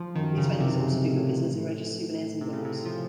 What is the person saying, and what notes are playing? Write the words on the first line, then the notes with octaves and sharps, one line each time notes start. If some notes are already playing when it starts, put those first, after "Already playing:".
These vendors also do good business in religious Souvenirs and books.
Already playing: F3
F#2 D#3
C#3
F#2 C3
A2
A2
C3
C#3
C3
F3